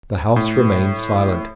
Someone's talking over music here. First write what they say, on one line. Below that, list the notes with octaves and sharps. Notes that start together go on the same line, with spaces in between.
The house remained silent.
A2